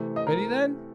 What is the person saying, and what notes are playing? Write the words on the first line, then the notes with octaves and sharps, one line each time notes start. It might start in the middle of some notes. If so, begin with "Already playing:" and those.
"Ready then!"
Already playing: C3 E3 A3 C4
D#5
A#4